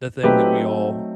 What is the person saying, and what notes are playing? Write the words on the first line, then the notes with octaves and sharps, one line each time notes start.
the thing that we all
F#3 A3 C4 D#4 G4 B4